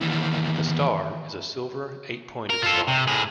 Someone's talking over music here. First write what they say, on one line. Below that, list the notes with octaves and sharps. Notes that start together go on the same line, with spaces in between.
The "star" is a silver, eight-pointed star.
D#2 E3
A#4
F4 A4
C3
A2 G#4